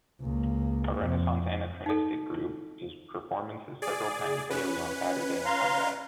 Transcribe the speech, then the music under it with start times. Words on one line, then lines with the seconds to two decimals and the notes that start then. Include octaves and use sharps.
A Renaissance anachronistic group does performances several times daily on Saturday and Sunday.
0.21 C#2 A#3
1.01 F2
1.86 D#4 A4
3.82 G#4 D5
4.50 C#4 B4
5.45 F5 A#5 C6